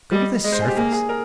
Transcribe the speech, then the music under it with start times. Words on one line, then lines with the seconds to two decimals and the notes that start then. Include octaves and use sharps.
Go to the surface.
0.11 G3 D#5
0.44 G#3 D#5
0.52 C5
0.60 G#4
0.68 G4
0.77 A#3 G#4
0.92 G#4
1.09 A#4